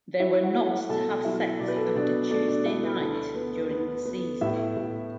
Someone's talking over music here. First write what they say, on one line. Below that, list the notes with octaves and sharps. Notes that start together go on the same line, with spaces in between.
They were not to have sex after Tuesday night during the season.
F#3 E4 E5
F#4 F#5
A3
F#4 F#5
B2 A4 A5
F#3 E4 E5
B2 D5
B4
A4
B4
B2 D4 D5
A3 D4 D5
D4 D5
A3 E4 E5
B4 B5
D2 A4 A5
B3
B3
B3
A2 E4 E5
A2